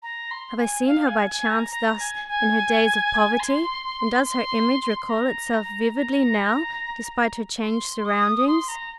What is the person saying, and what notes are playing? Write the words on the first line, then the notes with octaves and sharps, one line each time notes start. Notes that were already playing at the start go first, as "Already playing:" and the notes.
Have I seen her by chance thus in her days of poverty, and does her image recall itself vividly now despite her changed surroundings?
A#5
C6
G#5
F5
G#5
G#5
A#5
A#5
G#5
G#5
C6
C6
C6
A#5
A#5
C6
D#6
C6
A#5